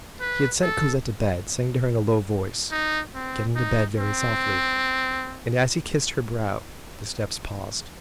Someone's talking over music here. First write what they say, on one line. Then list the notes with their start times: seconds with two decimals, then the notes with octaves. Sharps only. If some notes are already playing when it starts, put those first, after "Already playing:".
He had sent Cosette to bed, saying to her in a low voice, "Get into bed very softly"; and as he kissed her brow, the steps paused.
0.20 B4
0.62 A4
2.71 D#4
3.14 C4
3.55 D#4
3.98 C4